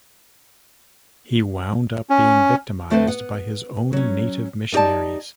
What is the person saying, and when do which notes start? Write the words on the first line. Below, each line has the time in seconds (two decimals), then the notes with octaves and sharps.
He wound up being victimized by his own native missionaries.
2.10 C#4
2.90 D3 A3 C4 A4 B4 C5
3.07 B3 F#5
3.93 F#3 C#4
4.72 B3 D#4 G4 D5 A5